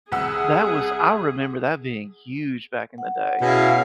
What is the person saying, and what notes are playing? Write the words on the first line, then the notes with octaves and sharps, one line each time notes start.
That was I remember that being huge back in the day
C2 G#4 F#5 E6
F#5
B2 C#4 E4 G#4 F5